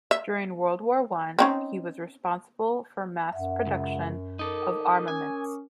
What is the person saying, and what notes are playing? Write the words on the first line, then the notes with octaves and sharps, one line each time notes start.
During World War One, he was responsible for mass production of armaments.
E5
C4 C#4 D#4
F#2 E5 F#5
C#2
D#4 A4 A#4 D6 D#6
C#4 G#5